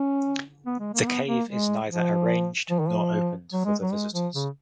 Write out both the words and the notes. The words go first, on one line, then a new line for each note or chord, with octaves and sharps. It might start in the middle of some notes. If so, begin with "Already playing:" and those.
The cave is neither arranged nor opened for the visitors.
Already playing: C#4
B3
G#3
A#3
B3
A#3
G#3
F3
F3
D#3
F3
F#3
G#3
F#3
G#3
F3
C#3